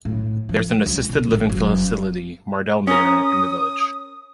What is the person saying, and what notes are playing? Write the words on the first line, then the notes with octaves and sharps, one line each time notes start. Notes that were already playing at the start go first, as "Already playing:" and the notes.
There is an assisted living facility, Mardell Manor, in the village.
A2
F3
C#2
C3
A1
F#1
C#4 A#4 D#6